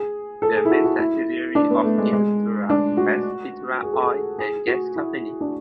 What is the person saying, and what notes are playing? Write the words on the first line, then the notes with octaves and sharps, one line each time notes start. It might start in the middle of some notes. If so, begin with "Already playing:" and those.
The main subsidiary of Itera was Itera Oil and Gas Company.
Already playing: G#4
A4
G#4
E4
F#4
F#4
E4
D4
B3
A3
G#3
G#3
D4
F#4
G#4
A4
G#4
G#4
F#4
E4
D4